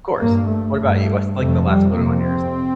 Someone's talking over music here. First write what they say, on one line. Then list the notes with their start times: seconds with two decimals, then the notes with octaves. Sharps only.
Of course, what about you, what's, like, the last photo on yours?
0.19 G2 A#3
0.48 A3
0.77 G2
1.35 F2 C3 A3
1.65 G3
1.94 F2 C3 A#3
2.23 C4